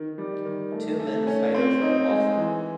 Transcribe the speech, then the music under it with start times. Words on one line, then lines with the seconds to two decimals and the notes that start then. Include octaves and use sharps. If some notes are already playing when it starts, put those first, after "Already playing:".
Two men fight over a waffle.
Already playing: D#3
0.18 G3
0.45 D#3
0.72 A3
1.00 A3
1.27 C#4
1.54 C4
1.82 D#4
2.09 G#3
2.36 E3